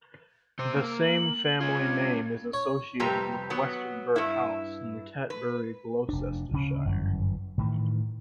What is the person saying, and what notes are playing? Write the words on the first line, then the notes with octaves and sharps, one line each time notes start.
The same family name is associated with Westonbirt House near Tetbury, Gloucestershire.
C3 C5 E6
A#3
F#7
C#4 F4 G#6
C#5
F2 C3 G3 G4 B4 A#5
F#3 B3
G2 E4
B4
F1 D4
D2 C#3 C#4
G1 F#2 E3
A2 D#3 E3